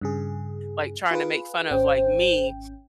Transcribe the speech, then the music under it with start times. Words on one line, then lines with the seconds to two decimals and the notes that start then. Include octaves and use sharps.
like, trying to make fun of, like, me?"
0.01 G2 C#3 G#4
1.11 F4 G#4 B4
1.71 G#1 C#4 C5 G5